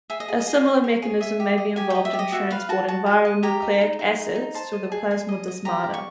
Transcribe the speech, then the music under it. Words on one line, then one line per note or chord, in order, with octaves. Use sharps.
A similar mechanism may be involved in transporting viral nucleic acids through the plasmodesmata.
G#4 E5
D#5
G#4
D#5
G#4
C#5
C#5
G#4
D#5 E5
G4
D#5
G4 G#5
D#5 G5
E5
G4
D#5
F#4 E5
B4 F5
F#4 A5
F#4 A5
F#4
D#5
G4 A#5
D#4
D#4
D#4
D#4
D#4
C5 A5
D#5
G#4
G#4
D#5
D#5
G4 A#5
D5
C#6